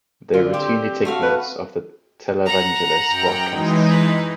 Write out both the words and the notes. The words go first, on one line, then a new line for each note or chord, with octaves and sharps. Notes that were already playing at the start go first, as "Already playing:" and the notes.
They routinely take notes of the televangelists broadcasts.
D3 F4
C4 G4
A3 F#4 F5
B4
F#5 A#5
F#2 G5
E3 G#3 D#4
B4